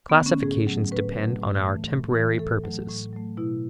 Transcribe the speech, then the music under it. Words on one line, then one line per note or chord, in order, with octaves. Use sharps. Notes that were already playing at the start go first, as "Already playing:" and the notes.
Classifications depend on our temporary purposes.
B3
D3 A3
C#4
A2 G#4
F#3 A3
A2 B4
F#3 A3
A2
E3 A3
A2
E3 A3
A2 A4
F#3 A3
A2
F#3 A3
B2 E4